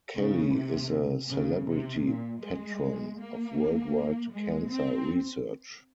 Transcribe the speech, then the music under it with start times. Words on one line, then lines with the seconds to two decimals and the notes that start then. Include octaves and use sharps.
Kelly is a celebrity patron of Worldwide Cancer Research.
0.17 C#3
0.55 C3
1.30 C#3
1.67 C3
2.05 A#2
2.42 G#3
3.19 A#3
4.31 G#3
4.69 C4